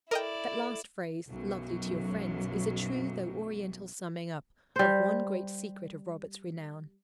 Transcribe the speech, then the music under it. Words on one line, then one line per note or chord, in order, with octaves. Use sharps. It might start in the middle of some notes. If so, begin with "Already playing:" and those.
That last phrase, "lovely to your friends," is a true though Oriental summing-up of one great secret of Roberts' renown.
E4 A4 A#4 D5 D#5 G5
B1 F#2 F#3
G3 C5